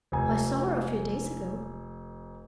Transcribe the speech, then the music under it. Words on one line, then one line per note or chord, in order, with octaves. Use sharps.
"I saw her a few days ago."
F1 G#5